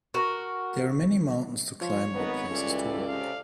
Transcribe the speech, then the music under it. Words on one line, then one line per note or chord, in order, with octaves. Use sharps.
There are many mountains to climb or places to walk.
F#4 A#4
F3 C#5
G#1 B3 A#4 D#5
C#2 E3 G3 A4 D5
C3 C#4 F5